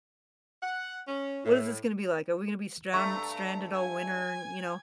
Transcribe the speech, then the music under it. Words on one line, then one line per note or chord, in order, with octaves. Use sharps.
"What is this gonna be like? Are we gonna be stround stranded all winter, you know?"
F#5
C#4
A2
G2 A3 E5 A#5 C#6
G#5 G#6